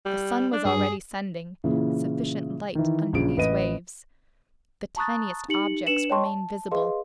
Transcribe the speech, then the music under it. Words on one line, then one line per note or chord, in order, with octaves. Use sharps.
The sun was already sending sufficient light under these waves. The tiniest objects remained visible.
G3
D4
G2 G#4
A#2 C#3 E3
D#3 E3
A#1 A#2 C#3 D7
A1 B4 D#5 D#7
A5 A#5 C#6 D#6 F#6 A6
D#4 G4 C#7 F#7
D4 B4 C#7 E7 F#7
C#5 D#5 G5 A5 C6 C#6
A5
G#4 B4 D#5 F5 C6